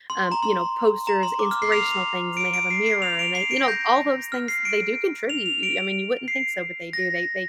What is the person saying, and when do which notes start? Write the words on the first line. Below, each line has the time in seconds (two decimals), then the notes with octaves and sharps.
um, you know, posters, inspirational things, and they have a mirror and they you know, all those things, they do contribute. You I mean, you wouldn't think so, but they do. They they
0.10 C6
0.32 A#5
0.42 C6
1.07 A#5
1.23 C6
1.39 D6
1.51 F6
1.62 C7
1.72 F7
2.37 D7
2.54 D7
2.71 C7
2.86 C7
3.02 F7
3.19 D7
3.35 C7
3.51 D7
3.63 A#6
3.68 G6
4.32 F6
4.48 C7
4.65 D7
5.30 F7
5.46 F7
5.63 D7
6.28 C7
6.93 A#6